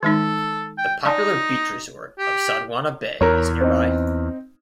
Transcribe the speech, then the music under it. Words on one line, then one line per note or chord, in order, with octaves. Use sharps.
The popular beach resort of Sodwana Bay is nearby.
D#3 G#3 D#4 A4
G5
D#4 D5 A5 C6
G4
E2 A#4 C#5
C4 D#4